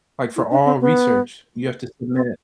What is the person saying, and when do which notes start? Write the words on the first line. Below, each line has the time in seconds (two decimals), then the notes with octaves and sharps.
like for all research, you have to submit,
0.36 E4
0.51 D4
0.65 C4
0.80 B3
2.14 C4